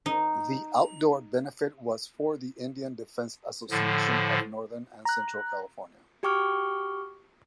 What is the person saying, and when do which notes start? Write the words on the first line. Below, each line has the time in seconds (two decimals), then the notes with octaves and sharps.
The outdoor benefit was for the Indian Defense Association of Northern and Central California.
0.06 D#4
3.70 A2 D3 F3
5.05 A#5 F#6
6.23 F#4 G4 G5 C#6 D6 F6